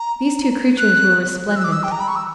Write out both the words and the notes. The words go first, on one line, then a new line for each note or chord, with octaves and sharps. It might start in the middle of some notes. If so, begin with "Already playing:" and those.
These two creatures were resplendent.
Already playing: A#5
F#6
F#6
E6
D6
E6
G5
A#5
B5
C#6
E6